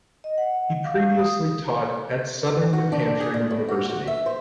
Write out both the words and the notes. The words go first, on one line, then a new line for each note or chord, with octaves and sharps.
He previously taught at Southern New Hampshire University.
D#5
F#5
F5
D#6
F#4
D4
G#4
A#2
A2
F#4
F#4
E5
C5